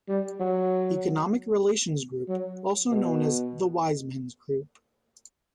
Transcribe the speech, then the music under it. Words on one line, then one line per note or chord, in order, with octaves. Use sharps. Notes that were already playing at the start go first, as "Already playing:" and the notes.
Economic Relations Group, also known as the "Wise Men's Group".
G3
F#3
F#3
B2